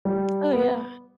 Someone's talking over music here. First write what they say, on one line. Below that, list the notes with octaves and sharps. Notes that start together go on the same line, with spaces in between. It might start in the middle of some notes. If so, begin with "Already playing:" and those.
Oh, yeah.
G3
B3